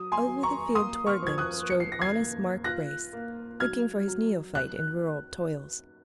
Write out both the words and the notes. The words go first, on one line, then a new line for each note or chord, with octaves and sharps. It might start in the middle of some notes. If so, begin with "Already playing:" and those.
Over the field toward them strode honest Mark Brace, looking for his neophyte in rural toils.
Already playing: F#3 D#6
G#5 C6
F#3
A#5 C#6
A#3 C6 D#6
C#6 F6
F3 G#6
D#6 F#6
F3 C#7
C7
A#6
G#6 C7
A#3
F4 F#6 A#6
A#3
F#3 F6 G#6
F#3
F#6